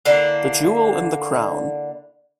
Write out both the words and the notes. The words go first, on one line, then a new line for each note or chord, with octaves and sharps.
The jewel in the crown.
D3 A#3 E4